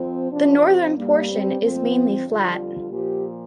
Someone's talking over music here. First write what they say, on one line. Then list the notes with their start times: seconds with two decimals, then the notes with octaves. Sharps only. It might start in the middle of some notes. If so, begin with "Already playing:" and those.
The northern portion is mainly flat.
Already playing: F2 F3 C4
0.31 F2 C3 F3 D4
0.63 C4
0.96 G2 G3 A#3
1.29 C4
1.61 F2 F3 C4
2.26 F2 D3 G3 F4
2.90 A#2 F3 G4